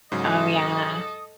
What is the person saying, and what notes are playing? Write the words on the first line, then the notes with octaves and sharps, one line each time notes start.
Oh, yeah.
G#2 C#3 F#3 A4 D#5 D#6